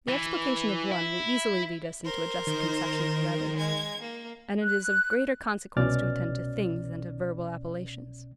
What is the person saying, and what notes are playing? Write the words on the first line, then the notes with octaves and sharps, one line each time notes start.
The explication of one will easily lead us into a just conception of the others; and it is of greater consequence to attend to things than to verbal appellations.
E3
E4
A#4 C5
D#3
G#3 G#6
A#3
F#6
C2 B2 C#4 D5 F6 A6